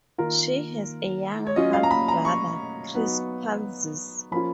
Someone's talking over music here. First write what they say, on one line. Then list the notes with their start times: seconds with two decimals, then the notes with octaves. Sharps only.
She has a younger half-brother, Chris Palzis.
0.18 D#3 A#3 F4 A#4
1.47 C#5
1.56 F#3 C#4 F4 D#5
1.73 F5
1.83 A#5
1.91 B5
2.08 A#5
2.25 C#6
2.94 F#3 B3 D#4
4.32 F3 A#3 C#4 F4 B5